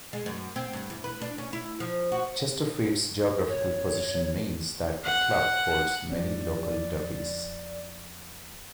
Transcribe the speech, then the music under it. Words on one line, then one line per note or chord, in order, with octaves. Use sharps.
Chesterfield's geographical position means that the club holds many local derbies.
G#3
F#2
C4
G2
E2
B4
D4
C#4
E4
F3
F#4
C#5
F#5
F2 C#4 D5